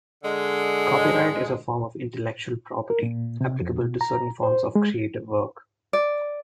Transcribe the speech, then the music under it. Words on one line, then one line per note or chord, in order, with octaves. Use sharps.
Copyright is a form of intellectual property, applicable to certain forms of creative work.
D3 G#3
A#4
A#2
C3
F2
B2
A#5
C5
G#3
D5